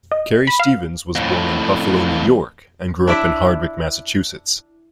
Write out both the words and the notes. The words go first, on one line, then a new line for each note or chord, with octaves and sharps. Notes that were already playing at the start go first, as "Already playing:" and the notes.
Carrie Stevens was born in Buffalo, New York and grew up in Hardwick, Massachusetts.
D#5
B5
F5
F2 A2
D4 E4 D5 E5